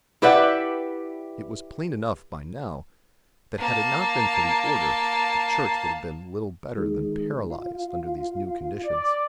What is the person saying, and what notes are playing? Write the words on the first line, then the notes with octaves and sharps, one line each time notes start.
It was plain enough by now that had it not been for the Order, the Church would have been little better than paralysed under these new conditions.
E4 G4 B4 D5 E5 F#5
A#3 A5
D#3 G#3
F4
D5